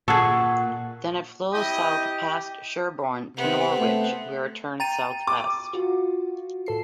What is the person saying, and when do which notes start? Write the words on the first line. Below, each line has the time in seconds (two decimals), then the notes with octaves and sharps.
Then it flows south past Sherburne to Norwich, where it turns southwest.
0.08 A#2 G#4 A4 F#5 C#6
1.53 C3 E4 G4 D#5
3.37 C3 B3 C4
3.78 A3
4.80 G5 A#5 A6 D#7
5.27 D6
5.73 F4 F#4
6.66 A2 A4 C7